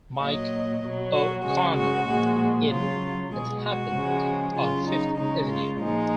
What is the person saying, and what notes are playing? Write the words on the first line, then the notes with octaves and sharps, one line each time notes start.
'Mike' O'Connor in "It Happened on Fifth Avenue".
A#2 F#3 D#5
B2 F#3
F#4
C#3 G#3 F#4
F#4
A#2 F3 G#3
C#3 F#3 F4
B2 G#3 G#4
F#4
C#3 F3 G#3
C#3 F#3 F4
D#4
C#3 G#3 D#4
F4
A#2 F3 G#3 D#4